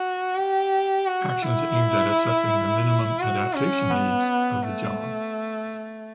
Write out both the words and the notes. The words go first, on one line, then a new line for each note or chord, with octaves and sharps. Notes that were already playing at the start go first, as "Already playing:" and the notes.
Actions aimed at assessing the minimum adaptation needs of the job.
Already playing: F#4
G4
F#4
E4
F#4
C#4
B3
A3